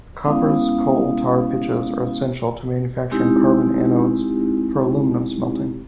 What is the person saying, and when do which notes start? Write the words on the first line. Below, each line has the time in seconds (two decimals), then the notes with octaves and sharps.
Kopper's coal tar pitches are essential to manufacturing carbon anodes for aluminum smelting.
0.24 G#3 B3 C#4 E4 F5 D#6
3.11 G#3 C4 D#4 E4 G4